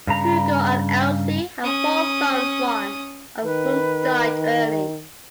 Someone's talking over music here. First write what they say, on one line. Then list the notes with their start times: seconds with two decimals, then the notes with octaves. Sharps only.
Hugo and Else had four sons, one of whom died early.
0.07 G2 C#3 A#5
1.64 C#4 D#6
3.44 D#3 B4